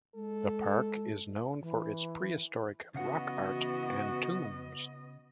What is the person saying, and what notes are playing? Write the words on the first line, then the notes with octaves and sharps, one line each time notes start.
The park is known for its prehistoric rock art and tombs.
G#3 A4
E3
C#3 E3 B3 F#4 D#5 F5 F#5